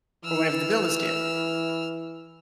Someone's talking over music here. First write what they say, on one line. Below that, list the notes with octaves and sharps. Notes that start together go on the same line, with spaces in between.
or whenever the bill is due.
E3 E6 F6